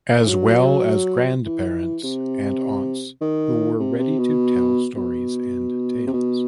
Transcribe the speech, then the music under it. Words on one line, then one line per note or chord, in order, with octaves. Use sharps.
As well as grandparents and aunts who were ready to tell stories and tales.
E3
F#3
E3
C3
D#3
C3
C3
B2
B2
C3
B2